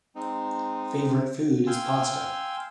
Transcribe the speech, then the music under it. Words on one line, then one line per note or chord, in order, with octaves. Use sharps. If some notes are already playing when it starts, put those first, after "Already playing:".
Favorite food is pasta.
G#3 C4 D#4
F5 G5 G#5 C6 E6